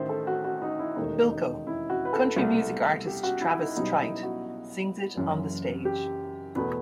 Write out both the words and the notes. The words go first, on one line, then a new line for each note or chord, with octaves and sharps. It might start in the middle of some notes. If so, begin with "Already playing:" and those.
Bilko, Country music artist Travis Tritt sings it on the stage.
Already playing: A1 D#3 C5 E5
A4
F#4
F#4
D#4
E4
E1 D#2 D#3 A3 D#4
D#4
E4
F#4
B4
A4
C2 B2 A3
G4
F#4
E4
D#4
B1 B2 G3 B3 D#4
E4
F#4
F#1 F#2 E3
G4
E2 B2 A3 B4